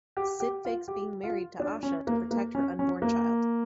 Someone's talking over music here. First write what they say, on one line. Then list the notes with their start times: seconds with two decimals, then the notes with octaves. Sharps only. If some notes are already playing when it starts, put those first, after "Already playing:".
Sid fakes being married to Asha to protect her unborn child.
0.17 G4
0.40 G4
0.65 F4
0.88 G4
1.23 F4
1.60 D4
1.83 C#4
2.07 A#3
2.31 A#3
2.55 C#4
2.79 C#4
3.02 A#3